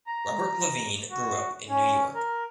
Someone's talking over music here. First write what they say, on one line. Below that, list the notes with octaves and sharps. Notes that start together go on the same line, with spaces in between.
Robert Levine grew up in New York.
A#5
F#4
C#4
A#4